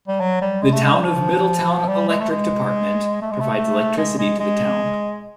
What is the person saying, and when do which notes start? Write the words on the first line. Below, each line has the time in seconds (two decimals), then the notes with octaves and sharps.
The Town of Middletown Electric Department provides electricity to the town.
0.08 G3
0.20 F#3
0.41 G3
0.62 G#3
0.72 A3
0.83 G#3
0.93 G3
1.04 F3
1.88 G3
2.09 G#3
2.20 A3
2.30 G#3
3.22 A3
3.31 G#3
3.40 A3
3.98 G#3
4.18 G#3
4.40 G#3